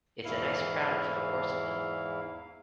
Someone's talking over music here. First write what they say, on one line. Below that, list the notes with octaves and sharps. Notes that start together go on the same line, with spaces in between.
It's a nice crown for the porcelain.
E2 G#2 E4 F5